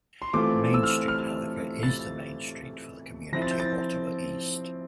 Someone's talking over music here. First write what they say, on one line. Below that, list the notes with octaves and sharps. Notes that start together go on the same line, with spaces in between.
Main Street however is the "main street" for the community of Ottawa East.
C6
E3 A3 C4 F4 D6
E6
F6
F6
A6
F3 C4 E4 A#6
A6
G6
A6